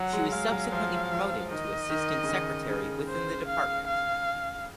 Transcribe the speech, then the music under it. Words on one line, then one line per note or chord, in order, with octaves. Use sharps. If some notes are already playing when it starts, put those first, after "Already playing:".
She was subsequently promoted to assistant secretary within the Department.
Already playing: F#3 F#5
G#3
G#3 F5
F#3
F3 F5
D#3 D#5
D#3
C#3
D#3
C#3
C5
F5
F5